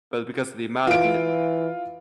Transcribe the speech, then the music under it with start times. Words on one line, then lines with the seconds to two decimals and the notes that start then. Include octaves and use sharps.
But because of the amount of it,
0.87 E3 F4 D7